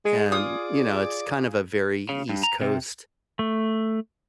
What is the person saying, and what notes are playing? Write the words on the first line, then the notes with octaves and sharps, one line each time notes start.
And, you know, it's kind of a very East Coast
G#3 G#4
F4 D5 D#6
C#3
G2
A#5
C3
A3